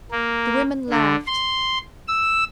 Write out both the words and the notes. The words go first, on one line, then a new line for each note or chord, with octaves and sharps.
The women laughed.
A#3
D3
C6
E6